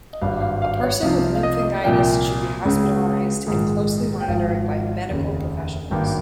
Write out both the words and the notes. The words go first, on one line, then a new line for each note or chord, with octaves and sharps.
A person with lymphangitis should be hospitalized and closely monitored by medical professionals.
D#5
G#1 G2 G3 F5
F5
F5
C#5
C2 C3 F3 F5
F5
D#5
C2 A#2 F3 A#3 G5
C#2 C#3 G#3
A#1 G#2 D#3 G#3
G5
G#1 G#2 F3 F5
F1 D#2 C#3
G#1 G2 D#3 A#3 G5